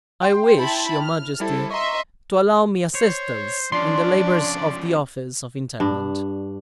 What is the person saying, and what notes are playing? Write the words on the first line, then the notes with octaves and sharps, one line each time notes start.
"I wish your majesty to allow me assistance in the labors of the office of intendant."
G5 C6
E4 A5 B5
F6
G3 E4 A4 C5
D#5 E5 A#5 C6 C#6
C5 C#5
F3 C#4 D4 D5 C6
G2 D4